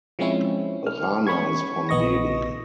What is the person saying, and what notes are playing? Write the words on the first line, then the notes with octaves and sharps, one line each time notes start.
Rana is from Delhi.
F3 G#3 C4 C#4 E4
F6
C#4 B5 C#6 G#6
A#1 B3 D#5 C#6 A#6